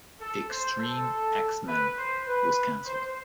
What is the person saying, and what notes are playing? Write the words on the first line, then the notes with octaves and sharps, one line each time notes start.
"X-Treme X-Men" was cancelled.
A4
C5
A4
B4
C5
B4
C5